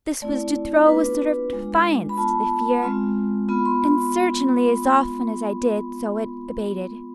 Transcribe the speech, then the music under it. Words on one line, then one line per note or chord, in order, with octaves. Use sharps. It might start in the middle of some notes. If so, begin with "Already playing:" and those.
This was to throw a sort of defiance to the fear; and certainly as often as I did so it abated.
A3 C4 E4 D5
B3 D4 F4 B4
G#3 D4 F4
B5
B3 F4 A5
G#3 C4 F4
B3 F4 B5
C6